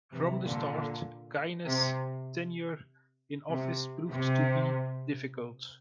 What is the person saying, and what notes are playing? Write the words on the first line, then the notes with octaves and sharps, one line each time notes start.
From the start, Gaines's tenure in office proved to be difficult.
C3 E3
A#2 D3
C3
C3
C3